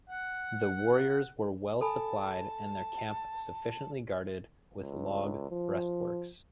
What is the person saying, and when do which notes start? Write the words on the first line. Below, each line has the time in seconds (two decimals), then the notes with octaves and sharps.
The warriors were well supplied and their camp sufficiently guarded with log breastworks.
0.09 F#5
1.81 A4 G#5 A5 B5
4.74 C#2
5.50 F3